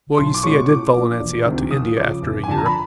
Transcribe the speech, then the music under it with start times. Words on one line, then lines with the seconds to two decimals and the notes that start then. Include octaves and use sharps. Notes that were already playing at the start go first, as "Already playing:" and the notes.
Well, you see, I did follow Nancy out to India after a year....
0.18 B1 C6
0.34 D6
0.43 B2 G#3 C#4 C#6
0.69 A2 D6
0.94 F3 A#3 D4
1.20 E1
1.46 D2 C3 D#3
1.71 D#2 D#6
1.96 C#3 F3 D6
2.22 F1
2.44 G#5
2.47 F2 D3 A5
2.58 A#5
2.66 B5